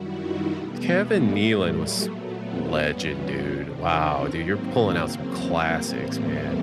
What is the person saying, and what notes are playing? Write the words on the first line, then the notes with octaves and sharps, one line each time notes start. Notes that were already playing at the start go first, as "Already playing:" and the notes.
Kevin Nealon was legend, dude. Wow, dude, you're pulling out some classics, man.
Already playing: F#2 D#3 G3 E4 F#4
D#4 F4
E2 B2 G3 A3 B3
G#3 A#3
A2 F#3 G3 A3
G#3 A#3
A#2 F#3 A3 B3
A#3 C4
G2 E3 G3 B3 C#4
F2 C3 D#3 C4 D4
B3 C#4
G#2 D#3 F#3 A#3 C4
E2 C#3 F#3
A2 E3 G3 A#3 C4
A3 B3